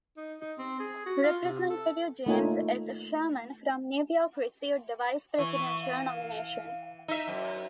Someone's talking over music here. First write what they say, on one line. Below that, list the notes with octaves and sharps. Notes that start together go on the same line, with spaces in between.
Representative James S. Sherman from New York received the vice-presidential nomination.
D#4
D#4
C4
G#4
F#4
F4
C3
A4
A3 A#3 D#4 F4 C#5 G#5
E3 C#6
F5
D#4 E5
F#2 C5